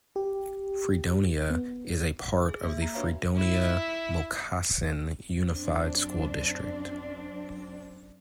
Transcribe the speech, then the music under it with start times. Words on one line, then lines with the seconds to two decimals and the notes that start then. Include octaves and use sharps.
Fredonia is a part of the Fredonia-Moccasin Unified School District.
0.16 G4
1.50 B3
2.49 G#4
2.63 A#3 E5
2.78 E5 A#5
2.94 D4 F#4 B4 C#5 F5 A#5
3.36 E4
5.48 F#2 C4 D4